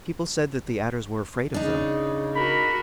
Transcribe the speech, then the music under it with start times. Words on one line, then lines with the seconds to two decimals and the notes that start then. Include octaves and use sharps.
People said that the Adders were afraid of them.
1.54 C#3 D4 D#4
2.36 F#4 A#4 B5